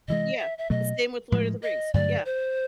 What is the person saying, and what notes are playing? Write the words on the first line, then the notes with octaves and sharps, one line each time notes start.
Yeah, the same with Lord of the Rings, yeah,
C3 E3 G#3 D#5
E5
E5
B2 F#3 A3 D#5
A2 F3 G#3
D#5
G2 D3 F#3 A3 D5
C5